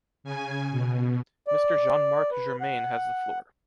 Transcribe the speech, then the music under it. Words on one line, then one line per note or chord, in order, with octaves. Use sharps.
Mr. Jean-Marc Germain has the floor.
C#3 G#5
B2
D5
B4
F#5